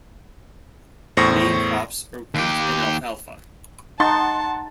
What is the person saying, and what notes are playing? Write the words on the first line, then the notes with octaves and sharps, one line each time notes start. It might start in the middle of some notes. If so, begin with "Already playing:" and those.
The main crops are wheat and alfalfa.
E2 A2 C5 C#6 A#6
D#2 G4
D#4 F#5 A5 C6 A6